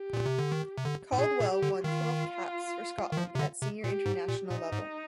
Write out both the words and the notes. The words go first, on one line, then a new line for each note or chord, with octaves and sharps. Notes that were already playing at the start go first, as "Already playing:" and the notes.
Caldwell won twelve caps for Scotland at senior international level.
Already playing: G4
A#2
C3
D3
D#3
C3
D3
G#2
A#2 G#4
A#2
G4
D3
D#3 F4
D#3
F3
C3
D3
C3
A#2 G4
G#2
A#2
A#2 D#4
G#2